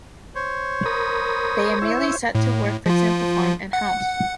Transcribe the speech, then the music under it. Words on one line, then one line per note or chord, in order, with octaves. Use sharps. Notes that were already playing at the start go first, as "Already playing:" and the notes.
They immediately set to work fixing up the farm and house.
C5 C#5
A#4 B5 D#6
E4 E5
A2
F3 F4
F#5